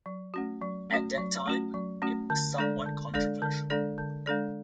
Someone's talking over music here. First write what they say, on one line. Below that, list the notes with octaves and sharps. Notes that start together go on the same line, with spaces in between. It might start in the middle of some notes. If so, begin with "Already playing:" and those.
At the time, it was somewhat controversial.
F#3
A3 C#4 F#4
F#3
A3 C#4 F#4
F#3
A3 C#4 F#4
F#3
A3 C#4 F#4
D3
G#3 D4 A4 D5
D3
G#3 D4 A4 D5
D3
G#3 D4 A4 D5
D3
G#3 D4 A4 D5